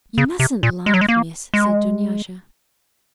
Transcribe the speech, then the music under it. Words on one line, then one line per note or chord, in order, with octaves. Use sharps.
"You mustn't laugh, Miss," said Dunyasha.
C#3
C3
A#2
G#3
F#3
G#3
A#3
G#3